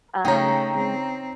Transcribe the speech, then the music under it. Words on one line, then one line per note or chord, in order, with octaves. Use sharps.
um, m
C#3 A3 D#4 C#5 G5 A#5
C4